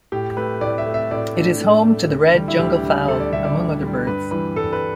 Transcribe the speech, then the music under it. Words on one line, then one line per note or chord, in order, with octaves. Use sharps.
It is home to the red jungle fowl among other birds.
A2 G4
A3 B4
A2 D5
E5
A3
E5
A2 D5
A3 D4
A2
A3
D2
D3 G3
E4
D2 G4
D3 G3
D2 A4
D5
D3 G3 E5
D5
D2
D3 G3
G2 B4
E3 G3 B4
G2 A4
B4